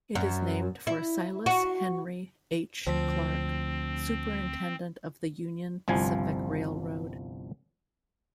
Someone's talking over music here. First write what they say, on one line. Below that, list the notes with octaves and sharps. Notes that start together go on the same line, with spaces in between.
It is named for Silas Henry H. Clark, superintendent of the Union Pacific Railroad.
F#2
E4
F#4
D2 F3 C4
G1 C2 F3 G#5